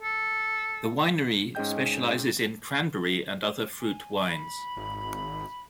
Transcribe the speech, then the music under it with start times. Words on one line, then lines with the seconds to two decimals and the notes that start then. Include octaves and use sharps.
The winery specializes in cranberry and other fruit wines.
0.02 A4
1.55 G#2 C#4 G#4 D#5 G5 G6
3.80 G#5
4.26 B5
4.77 G#1